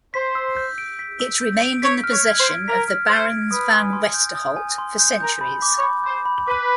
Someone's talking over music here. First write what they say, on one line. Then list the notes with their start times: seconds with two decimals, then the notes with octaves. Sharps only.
It remained in the possession of the barons Van Westerholt for centuries.
0.14 C5 B6
0.35 E6
0.57 G6
0.78 D7
0.99 B6
1.20 E6
1.41 G6
1.62 D7
1.82 C#5 B6
2.04 F6
2.10 C#5
2.24 G#6
2.39 C5
2.46 D7
2.68 A#4 B6
2.88 F6
3.09 C5 G#6
3.30 D7
3.51 B4 D#6
3.73 G#5
3.93 C6
4.14 G6
4.35 D#6
4.57 G#5
4.78 C6
4.99 G6
5.20 A#4 G6
5.41 B5
5.62 D6
5.76 C#5
5.83 B5
6.04 C5 G6
6.25 B5
6.46 B4 D6